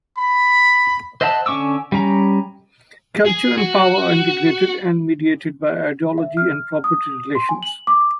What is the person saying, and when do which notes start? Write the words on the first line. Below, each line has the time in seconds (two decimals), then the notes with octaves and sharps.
Culture and power are integrated, and mediated by ideology and property relations.
0.18 B5
1.21 C5 D#5 E5 F#5 A5
1.46 D3 C#4 C#6 D6 E6
1.92 G3 C#4 A#5
3.25 G#4
3.58 F#4
6.18 E5
6.37 F6
6.84 D#6
7.35 C6
7.49 G#5
7.63 F#7
7.87 D6